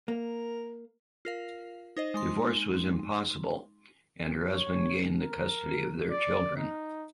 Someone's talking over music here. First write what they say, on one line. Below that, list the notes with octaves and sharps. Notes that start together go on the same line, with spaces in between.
Divorce was impossible and her husband gained the custody of their children.
A#3 A#4
F4 A#4 F5
D#4 C5 D#5
G#3 D#4 C6
C#5
A#4
D5
D#4